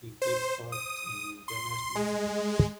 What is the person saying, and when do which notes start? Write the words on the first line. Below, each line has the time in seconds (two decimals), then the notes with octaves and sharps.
He takes part in international seminars.
0.22 C5
0.72 D#6
1.48 C6
1.95 G#3